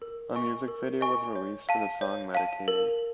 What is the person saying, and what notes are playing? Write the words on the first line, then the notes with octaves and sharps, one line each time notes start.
A music video was released for the song "Medicating".
A#4
D#5 G#5 C#6
A#4
D#5 G#5 C#6
C#5
F5 A5
C#5
F5 A5
A#4